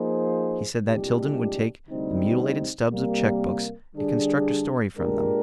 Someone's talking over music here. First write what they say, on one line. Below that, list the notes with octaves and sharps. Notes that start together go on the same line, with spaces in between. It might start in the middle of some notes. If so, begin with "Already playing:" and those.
He said that Tilden would take the mutilated stubbs of check-books, and construct a story from them.
Already playing: F3 A#3 D#4 G#4 C5
C2 A#2 G#3 D4 G4
D2 C3 G3 C4 D#4
C3 G3 A#3
D3 G3 D4 G#4
A#2 G#3 D4 G4 A#4